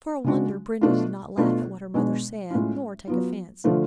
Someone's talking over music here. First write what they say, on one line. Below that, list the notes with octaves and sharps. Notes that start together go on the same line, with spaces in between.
For a wonder Brenda did not laugh at what her mother said, nor take offence.
C#3 G#3 D4 F#4
B2 A3 D4 F4
B2 A3 D4 F4
B2 G#3 D4
A2 G#3 C#4 F4
F#3 B3 F4
D3 F3 A3 F4